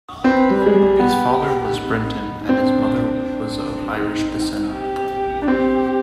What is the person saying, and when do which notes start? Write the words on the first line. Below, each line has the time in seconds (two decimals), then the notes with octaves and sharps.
His father was Breton and his mother was of Irish descent.
0.24 C4 B4
0.50 G3
0.62 G#3 G#4
0.75 G3
0.99 B3 G4
1.74 D#4
2.49 C4 D4
3.23 D4
3.98 D#4
4.73 G4
5.42 D4
5.48 C4 G4